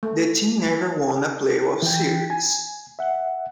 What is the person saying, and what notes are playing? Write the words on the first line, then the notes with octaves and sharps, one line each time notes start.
The team never won a playoff series.
A3
E3 G5
G#5
E5 F#5